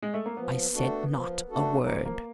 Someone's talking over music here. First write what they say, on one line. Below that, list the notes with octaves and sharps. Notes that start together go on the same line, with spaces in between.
I said not a word.
G#3
A3
A#3
F3 B3
A3 D4 F#4 A4
F3
A3 D4 F#4 A4
F3 A#3
A#3